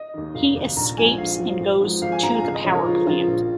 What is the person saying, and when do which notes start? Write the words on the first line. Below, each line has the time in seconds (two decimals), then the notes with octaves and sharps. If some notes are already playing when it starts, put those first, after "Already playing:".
He escapes and goes to the power plant.
Already playing: D#5
0.14 D#2 D#3
0.34 F1 F5
0.56 D#2 D#3
0.76 A#1 A#5
0.97 G#2 F3 G#5
1.18 A#1 F5
1.39 G#2 F3
1.60 G#1
1.81 G#2 F3
2.02 G#1 F5
2.12 G#5
2.23 G#2 A#5
2.26 F3
2.33 G#5
2.43 C#2 F5
2.54 D#5
2.64 C#3 F3 C#5
2.75 A#4
2.85 C#2 F4
3.06 C#3 F3 F4
3.27 A#1